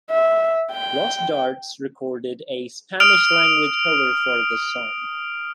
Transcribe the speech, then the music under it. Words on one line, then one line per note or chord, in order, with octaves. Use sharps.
Los Darts recorded a Spanish-language cover for this song.
E5
G5
D#6 F6 D7 F7